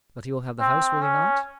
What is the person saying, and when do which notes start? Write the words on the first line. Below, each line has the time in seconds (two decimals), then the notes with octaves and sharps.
"But he will have the house, will he not?"
0.60 C4
1.02 C#4